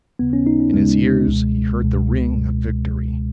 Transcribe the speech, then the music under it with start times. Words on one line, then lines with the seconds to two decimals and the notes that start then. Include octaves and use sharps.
In his ears, he heard the ring of victory.
0.19 D#2 C#3 B3
0.33 C#4
0.47 D#4
0.60 C#4
0.74 D#2 C#3 G#3
1.28 C#2 B2
1.82 C#2 B2